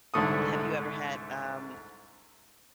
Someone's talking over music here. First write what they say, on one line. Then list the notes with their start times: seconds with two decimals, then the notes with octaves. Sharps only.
Have you ever had, um,
0.14 C2 G#2 D3 A3 C#6 D#6